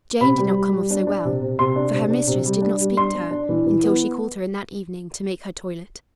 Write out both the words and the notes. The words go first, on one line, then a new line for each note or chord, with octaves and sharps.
Jane did not come off so well, for her mistress did not speak to her until she called her in that evening to make her toilet.
C3 B5
G3
G3
G3
D4
D4
C3
C3
C3 C6
D4
C3
D4
C3
G3
D4
G3
D4 C6
D4
D4
E3
E3
B3